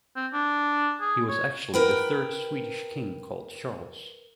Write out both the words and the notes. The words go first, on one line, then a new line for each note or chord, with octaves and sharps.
He was actually the third Swedish king called Charles.
C4
D4
G#4
C#5
A#4 B4 G5